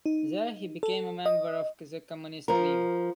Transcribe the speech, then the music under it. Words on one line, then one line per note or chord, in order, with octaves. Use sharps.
There he became a member of the Communist League.
D#4
A4
D#5
F3 A#4